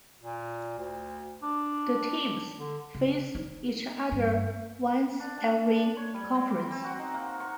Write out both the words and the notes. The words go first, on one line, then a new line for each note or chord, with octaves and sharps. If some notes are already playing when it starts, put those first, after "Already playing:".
The teams face each other once every conference.
A#2
D2
D4
D3
C#3
D#4
G2
D4
A5
D5
C#5
G3
C4
D6
C4
F#4
D#4
A#3
C#6